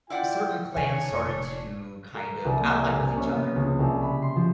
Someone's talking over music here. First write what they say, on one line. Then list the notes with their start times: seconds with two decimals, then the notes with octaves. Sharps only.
certain clans started to kind of ally with each other,
0.10 E4 F4 D5 F#5 G5
0.76 C3 D#3 D4 C#5 G#5
1.10 F1
2.14 A#4
2.45 C2
2.60 A#3
2.75 G#5
2.96 C3
3.16 C#4
3.36 B3
3.56 C#2
3.79 C2
4.02 B5
4.22 C6
4.36 F3